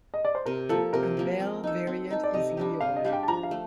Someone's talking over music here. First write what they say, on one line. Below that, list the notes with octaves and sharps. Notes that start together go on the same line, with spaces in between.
A male variant is Leor.
D#5
D5
C5
C3 A#4
F3 A#3 A4
C3 A#4
F3 A#3
C4
D#4 A4
C4
D#4 A4
D5
C3 D#5
G3 D4 G4
C3 F5
D#5
G3 D4 G4 F5
G5
A5
F3 A#5
F5
A3